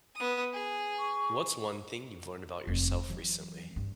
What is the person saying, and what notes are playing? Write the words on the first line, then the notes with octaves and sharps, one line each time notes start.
what's one thing you've learned about yourself recently?
B3 D#6
G#4
C#6
F1 D#2
E3 F#3
G2 D4